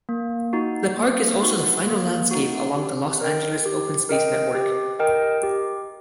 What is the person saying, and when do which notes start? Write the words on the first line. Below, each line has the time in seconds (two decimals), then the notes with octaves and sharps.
The park is also the final landscape along the Los Angeles Open Space Network.
0.09 A#3
0.53 D#4 F#4
0.97 A#3
1.43 D#4 F#4
1.86 A#3
2.31 D#4 F#4
2.77 G4
3.21 A#4 D#5 G5
3.66 G4
4.09 A#4 D#5 G5
4.55 G4
4.99 A#4 D#5 G5
5.43 G4